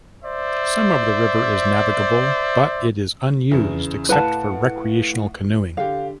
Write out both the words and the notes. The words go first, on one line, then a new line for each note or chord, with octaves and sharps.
Some of the river is navigable, but it is unused except for recreational canoeing.
C5 D5 E5
E2 C#3
A2 B4 F5 F#5 A5
D3 G4 F5